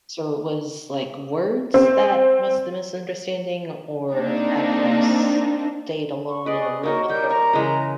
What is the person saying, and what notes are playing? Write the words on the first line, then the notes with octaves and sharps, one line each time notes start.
So it was, like, words that was the misunderstanding, or the fact that you stayed alone in a room with a girl?
C4
A#3 C4 D4 D#4
C#6
G#4 B4 D5 D#5
A#3 D#4 F#4 A#4 C#5
G3 A#4 G6
A#5 C#6
C#3 E3 G#3